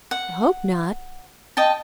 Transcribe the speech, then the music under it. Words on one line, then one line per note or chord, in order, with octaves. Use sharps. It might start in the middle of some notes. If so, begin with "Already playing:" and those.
"I hope not."
F#5
D#5 G5 A5